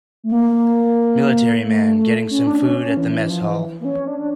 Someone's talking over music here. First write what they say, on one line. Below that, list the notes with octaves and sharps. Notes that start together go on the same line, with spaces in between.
Military man getting some food at the mess hall.
A3
A#3
A3
A3
A3
C#4
D4
C#4
C#4
E3
E3
F3
E3
A#3
C#4
D4
D4